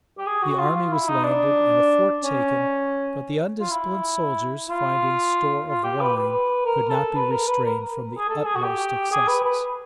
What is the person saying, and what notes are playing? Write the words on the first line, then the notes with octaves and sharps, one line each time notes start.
The army was landed, and a fort taken; but the undisciplined soldiers, finding store of wine, could not be restrained from the utmost excesses.
G4
G#4
F#4
F4
F4
E4
D#4
D4
C#4
F4
E4
F4
F4
G4
B4
B4
A#4
A4
B4
A#4
B4
A#4
G#4
A4
G#4
F#4
G4
G#4
B4
B4